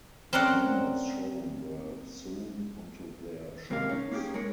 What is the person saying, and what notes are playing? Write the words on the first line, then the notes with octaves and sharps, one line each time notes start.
The numbers shown were sewn onto their shorts.
C4 C#4 A#4 D5 F#5
D#2 C3 G#3 A#3 A#4 F5
C#4 D#4
A#3 C#4 F4 G4 G#4
G#3 D#4 G#4 A#4 C#5